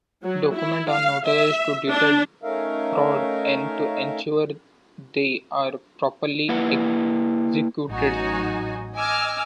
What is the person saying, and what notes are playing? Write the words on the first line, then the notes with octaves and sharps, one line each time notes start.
Documents are notarized to deter fraud and to ensure they are properly executed.
F#3
E4
F5
E5
D4
A3 C#4 D#4 A#4 E5 F5
A#3 E4 B4 F#5
A1 F#3 D#4 F#4 G#5
D#5 G#5 D6 E6 F6